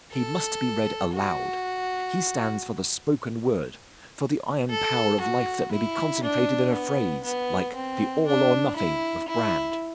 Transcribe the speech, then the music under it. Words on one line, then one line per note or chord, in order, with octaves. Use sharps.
He must be read aloud. He stands for the spoken word, for the iron power of life that may be concentrated in a phrase like the "All or nothing" of Brand.
A4
F#4
A4
F#4
E4
D4
B3
B3
C4
D4
E4
E4